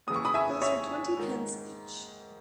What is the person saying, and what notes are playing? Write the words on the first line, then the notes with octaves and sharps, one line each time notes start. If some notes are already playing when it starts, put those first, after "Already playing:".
Those are twenty pence each.
D#2 C#3 E3 D#6
C#6
B5 D#6
E5 G#5
C#5 E5
G#2 D#3